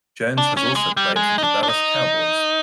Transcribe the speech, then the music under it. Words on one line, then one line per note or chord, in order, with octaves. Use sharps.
Jones has also played for the Dallas Cowboys.
D4
C#4
G#3
G3
G#3
D#4
D4
D4
D#4